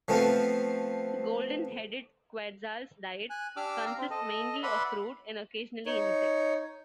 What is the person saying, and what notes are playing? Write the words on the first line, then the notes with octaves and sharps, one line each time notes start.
The golden-headed quetzal's diet consists mainly of fruit, and occasionally insects.
F3 A3 B3 C4 F4
G#5 F#6
D4 G4 D6 E6 F6
F5 A#5
C4
A4 D#5
B4 D5 E5 F#5 B5 C6
D#4 C#5